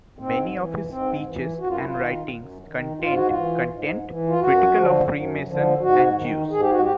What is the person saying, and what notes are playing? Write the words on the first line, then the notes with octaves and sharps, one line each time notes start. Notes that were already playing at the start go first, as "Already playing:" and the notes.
Many of his speeches and writings contained content critical of Freemasons and Jews.
G#2 C4
E3
G#2 C4
E3
F#2 F#4
F4
E4
F4
D#3
F#2
D#3
G#2 F4
F#4
F4
E3
G#2
E3
F4
F#2 F#4
D3 F3
F#2
D3 F3
G#2 F#4
D#3
G#2 G#4
G4
F#4
G4